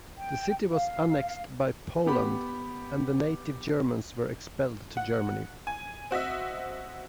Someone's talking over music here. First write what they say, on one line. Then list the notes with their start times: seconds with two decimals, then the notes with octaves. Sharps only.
The city was annexed by Poland, and the native Germans were expelled to Germany.
0.18 G5
0.73 F5
2.06 B3 G4 B5
4.97 F#5
5.67 G#5
6.11 C4 F#4 D#5 E5